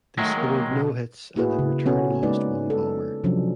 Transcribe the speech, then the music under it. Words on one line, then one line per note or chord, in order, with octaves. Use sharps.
They scored no hits and in return lost one bomber.
D#3 F#3 G#3 A3
A#3
B2
A#3 E4 F#4 G#4 B4
C#3
B3 C#4 F#4 A4
G#3 A#3 D#4 B4 D5
A4
C3 F3 F#3 C#4 D4